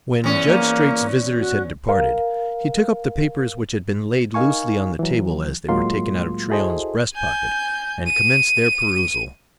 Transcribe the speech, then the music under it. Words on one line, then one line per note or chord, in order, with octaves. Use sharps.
When Judge Straight's visitors had departed, he took up the papers which had been laid loosely on the table as they were taken out of Tryon's breast-pocket, and commenced their perusal.
E2 C#4
A#3
F#4
A#4 F5
D#4 A#4 F5 G#5 C#6
E3 F#3
A2 F#3 G#3 A#3 F4 C6
E4 F#4 G#4 A4 C5 D#5
G#5 G6
D#7